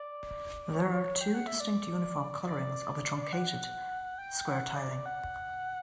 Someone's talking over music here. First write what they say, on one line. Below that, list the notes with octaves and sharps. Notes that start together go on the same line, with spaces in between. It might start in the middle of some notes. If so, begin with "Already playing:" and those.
There are two distinct uniform colorings of a truncated square tiling.
Already playing: D5
C#5
G5
F#5
E5
D5
D5
F#5
G5
F#5
D5
F#5